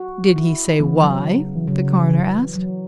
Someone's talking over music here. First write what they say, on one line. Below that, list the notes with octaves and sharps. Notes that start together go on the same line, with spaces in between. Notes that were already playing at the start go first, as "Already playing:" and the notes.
"Did he say why?" the coroner asked.
Already playing: F#4
E4
E3 B3
F#3
C#3
E3
C#3 F#3
E3
F#3